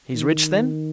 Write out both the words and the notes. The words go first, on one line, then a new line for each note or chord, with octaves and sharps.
"He is rich, then?"
D#3